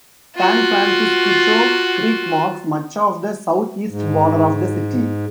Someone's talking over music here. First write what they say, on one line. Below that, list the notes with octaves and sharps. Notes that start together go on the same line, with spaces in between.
San Francisquito Creek marks much of the southeast border of the city.
F4 F#4
G#2